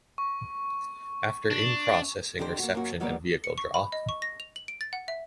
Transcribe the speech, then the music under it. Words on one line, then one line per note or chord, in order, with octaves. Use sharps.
After in-processing, reception and vehicle draw.
C#6
D4
D3 D#3 D4 G4 G#4 C5
A#3 F#4
F#2 A#3 F#4
D#3 F#3 G3 A#3 B3 D5
C#7
C#6
B5
D#5
C#6
A#6
F7
F#7
D7
A6
F#5
E5